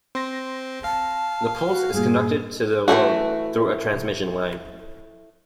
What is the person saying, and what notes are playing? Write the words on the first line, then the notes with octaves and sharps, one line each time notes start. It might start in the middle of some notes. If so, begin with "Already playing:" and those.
The pulse is conducted to the load through a transmission line.
C4 C6 A#6
F5 A5
F#4
G2 A#2 G#4
E3 F#3 A3 F#4